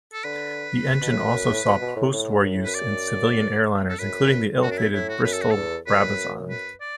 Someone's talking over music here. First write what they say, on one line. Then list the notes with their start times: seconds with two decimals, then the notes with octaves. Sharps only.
The engine also saw post-war use in civilian airliners, including the ill-fated Bristol Brabazon.
0.13 A4
0.24 D3 B4
1.02 B2
1.10 A2
1.18 F#2
1.34 F#2
1.49 A2
1.65 B2
1.81 B2
1.96 A2
2.12 A2
2.43 F#2
2.55 A2
2.65 F#2 B4
2.75 D5
3.89 A4
4.00 F#2 B4
4.56 A2
4.62 F#2 F#4
4.71 D4
4.78 E4
4.94 A2 E4
5.09 F#4
5.24 F#2 B4
5.33 A4
5.42 F#4
5.51 A4
5.56 E2
5.87 F#2 B4
6.50 B4
6.81 D5